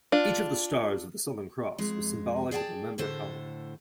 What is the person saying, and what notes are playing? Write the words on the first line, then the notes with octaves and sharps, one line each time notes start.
Each of the stars of the Southern Cross was symbolic of a member colony.
D4 F4
F2 G#3
G#4 D5 E5 F5 G5 A5
A2 D3 A4 C5